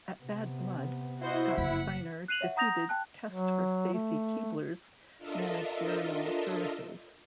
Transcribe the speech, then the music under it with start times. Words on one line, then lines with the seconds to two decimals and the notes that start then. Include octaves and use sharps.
At Bad Blood, Scott Steiner defeated Test for Stacy Keibler's managerial services.
0.21 C3 B3
1.21 E4 F#4 C5 D#5
1.58 F#1 F2 F#5 B6
2.28 F#6 C7 D#7 F7 F#7
2.41 C#5 E5 F#5
2.56 F#5 A#5 D#6 G6 A#6 F7
2.89 G5 A5 F#6
3.30 F#3
3.93 A3
5.18 D4 F4 A4 A#4 D#5 E5